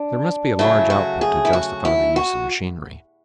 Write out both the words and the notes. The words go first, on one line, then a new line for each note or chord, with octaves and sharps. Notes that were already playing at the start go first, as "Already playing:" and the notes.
There must be a large output to justify the use of machinery.
Already playing: D4
C#3 F#3 A3 E4
F#4
G#4
E4
F#4
E4
F#4